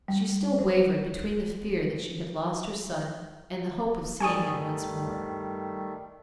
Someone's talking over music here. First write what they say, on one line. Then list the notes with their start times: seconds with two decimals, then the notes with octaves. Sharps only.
She still wavered between the fear that she had lost her son and the hope of seeing him once more.
0.08 G3
0.59 C5
4.20 G2 D#3 G3 A3 D5 G#5 C#6 D#6